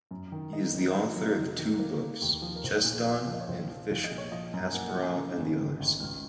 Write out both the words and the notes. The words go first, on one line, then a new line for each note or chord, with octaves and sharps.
He is the author of two books, "Chessdon" and "Fischer, Kasparov and the Others".
F#2
D#3
D#3 D#5
F#1
F5
F#3 D#5
F#3
F1
D#3
A#3
A#3
D#2
F3
A#4
A#1 C5
A#2
A#2
F3 F5
D#5
C#5
A#1 C5
F3
A#1 F5
D#5
A#2
C#5
F3 D#5
F#2
G#5
A#3 F#5
F#5
F3
G#5
C#3
G#1
G#1
G#1
C#2 F6